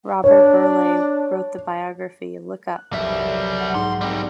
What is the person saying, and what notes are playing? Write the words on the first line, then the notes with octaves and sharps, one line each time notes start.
Robert Burleigh wrote the biography Look Up!
D4 C#5
F#6
F1 B1 G3 E5
F#5
G#2 D#4 C6
G3 C4